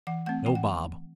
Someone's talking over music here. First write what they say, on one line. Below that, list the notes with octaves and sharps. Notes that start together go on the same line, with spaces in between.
No Bob.
E3 F#5
A3 C4 F#5
E3 G5
F#5